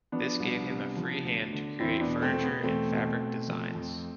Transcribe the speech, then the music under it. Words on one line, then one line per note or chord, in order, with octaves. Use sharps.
This gave him a free hand to create furniture and fabric designs.
F3 B3 D4
C2
C3
F3
D2
D3
E2 C4 E4
B3 D4
B2
A3 C4
B2 A3
B3
E2 A3 C4
B2
B2
F3
F2